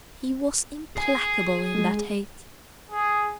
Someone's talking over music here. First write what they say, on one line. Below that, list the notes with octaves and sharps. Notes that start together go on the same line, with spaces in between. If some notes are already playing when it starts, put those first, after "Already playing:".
He was implacable in that hate.
G#4 G#5
G#3
G#4